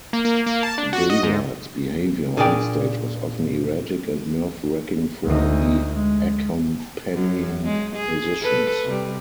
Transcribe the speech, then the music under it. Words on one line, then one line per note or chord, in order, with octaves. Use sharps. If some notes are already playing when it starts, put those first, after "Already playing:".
Gaillard's behaviour on stage was often erratic and nerve-wracking for the accompanying musicians.
A#3
A#3
A#3
A5
D4
F#4
D#5
G#2
A#2 D4 G#4 A#4 D5 G5
D2 D#4
G#3
F#2
G#3
G#4
A4 B4
C3 G3